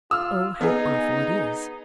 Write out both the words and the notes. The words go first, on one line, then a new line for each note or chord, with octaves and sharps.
Oh, how awful it is!
F4 E6 F6
B3 D#4 G#4